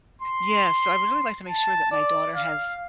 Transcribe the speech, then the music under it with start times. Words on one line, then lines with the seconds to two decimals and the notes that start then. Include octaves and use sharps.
yeah, so I would really like to make sure that my daughter has,
0.22 C6
1.49 A5
1.92 D5
2.36 F5